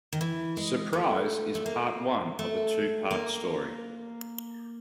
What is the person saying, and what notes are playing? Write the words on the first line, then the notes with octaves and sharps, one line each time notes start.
"Surprise" is part one of a two part story.
D#3
E3
G#3
A3
A3
A#3
A3
A#3